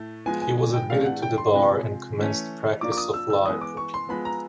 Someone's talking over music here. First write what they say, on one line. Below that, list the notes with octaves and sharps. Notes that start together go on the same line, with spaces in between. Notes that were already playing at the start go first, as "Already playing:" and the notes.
He was admitted to the bar and commenced the practice of law in Brooklyn.
Already playing: A2 A3
F3 G#3 B3 G#5
G#5
G#5
G5
A2 E3 A3 D4 F5
F#5
G5
C6
C3 F3 G#3
E3 A3 C#4
F3 A#3 D4 D6
D6
D#6
E6
E6
E3 G#3 B3 D#6
D6
C#6
C6
F3 G#3 B3 B5
A#5